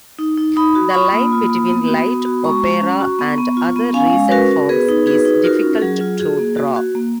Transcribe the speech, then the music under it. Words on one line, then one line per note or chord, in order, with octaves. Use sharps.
The line between light opera and other recent forms is difficult to draw.
D#4
D#4
D#4 B5 D#6
F#4
C#6
F4 B5 D#6
A#3
F4
A#3
B3
F#4
B3
F#4
G#3 A#5 C#6
G#3
C#4
F#4
B3
B3
F4
B3
C#4 F5 G#5
G#3
B4
C#4 F#4 A#4
F#4
B3 G#4 B4
D#4
F#4 G#4 B4
D#4
F4 F#4 A#4
C#4
F#3 G#4
F4
F#4 G#4
A#3
A#3 F#4
F#4
A#3